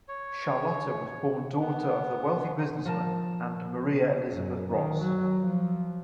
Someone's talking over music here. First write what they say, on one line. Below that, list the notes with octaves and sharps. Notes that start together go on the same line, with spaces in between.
Charlotta was born daughter of the wealthy businessman and Maria Elisabeth Ross.
C#5
B3
F3 A#4 A5
F#2
D#3
F#3
F3